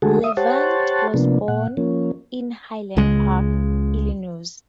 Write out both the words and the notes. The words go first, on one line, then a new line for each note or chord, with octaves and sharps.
Levant was born in Highland Park, Illinois.
D3 G#3 A3 F#4 G#4 A4
E5 D#6
G4 C5 C#5 F#5 A5
C3 F3 A#3 B3 D4
A#2 F#5
F3 A#3 C#4
C#2 C#3 G#3